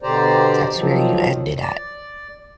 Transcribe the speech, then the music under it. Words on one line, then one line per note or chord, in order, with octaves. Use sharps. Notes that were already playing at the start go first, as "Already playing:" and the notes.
that's where you end it at.
B2 D3 G4 C5 D5 A#5
D#3 F3 F#3
D5